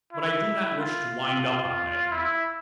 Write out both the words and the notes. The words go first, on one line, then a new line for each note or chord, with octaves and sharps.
But I do not wish to wind up on that note.
E4
F4
E4